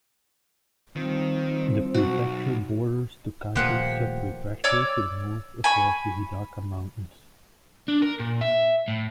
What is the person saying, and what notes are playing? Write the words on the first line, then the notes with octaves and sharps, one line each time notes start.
The prefecture borders Tokachi Subprefecture to the north across the Hidaka Mountains.
D#3 F3 G3 C4
B1 F#4
D#1 A#2 F3 A3 A#3 G4 C5 F#5
C#5 D5 D6 E6
G#5 B5 C#6
D4
A#4
A#2
E5
A2